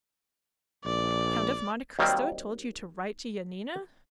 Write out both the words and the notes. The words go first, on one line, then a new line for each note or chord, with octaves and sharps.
"The Count of Monte Cristo told you to write to Yanina?"
A#1 D5
D#2 D#3 F#3 G3 A#3 C4